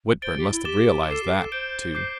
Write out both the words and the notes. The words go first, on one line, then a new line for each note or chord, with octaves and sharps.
Whitburn must have realized that, too.
C5 A6 D7 G7
G4
E4
G4 D6 A6 E7 G7
A4 D6 C7 E7
G4
A4
C5 G6 D7 G7
D6 G6 C7